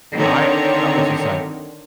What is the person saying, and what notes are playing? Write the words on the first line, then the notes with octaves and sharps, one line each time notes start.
I I was just like,
D3 D#3 C4 C#5